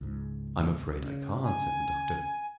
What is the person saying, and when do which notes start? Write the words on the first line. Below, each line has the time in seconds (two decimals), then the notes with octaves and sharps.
"I am afraid I can't," said the Doctor.
0.01 C#2 G#2
1.02 C#3
1.43 G#5